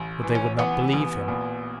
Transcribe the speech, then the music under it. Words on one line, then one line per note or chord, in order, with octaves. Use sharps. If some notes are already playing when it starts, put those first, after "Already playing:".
But they would not believe him.
Already playing: A1
E3
C#4
E3 B3
A1
A#2